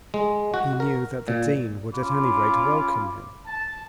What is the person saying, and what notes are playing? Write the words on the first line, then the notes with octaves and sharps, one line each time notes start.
He knew that the Dean would at any rate welcome him.
G#3
F#4
A#4
A#2
C#4 F4 B5 D6
A5